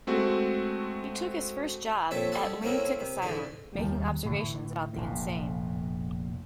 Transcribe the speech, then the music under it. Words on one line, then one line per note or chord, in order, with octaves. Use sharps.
He took his first job at Lunatic Asylum making observations about the insane.
G#3 A3 C4 F#4
A#1 C4 A4 C#5 E5
G3 G#4 A4 F#5
A3 A#3 C4 C#4 E4 A#4
C3
G#2 D3 E3 G#3 A3
D#2 D#3 G3
A2 D3 E3
F1 A#1 E2 A2